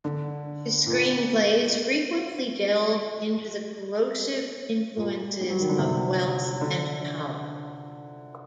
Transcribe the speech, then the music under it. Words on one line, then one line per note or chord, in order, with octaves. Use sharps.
His screenplays frequently delved into the corrosive influences of wealth and power.
D3
A#2
A#2
G3
F#3
D#3
D3
C3
D3